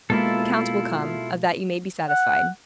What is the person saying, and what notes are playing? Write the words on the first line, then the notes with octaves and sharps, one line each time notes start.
"The count will come, of that you may be satisfied."
B2 G#3 A#3 E4 F4 A4
F#5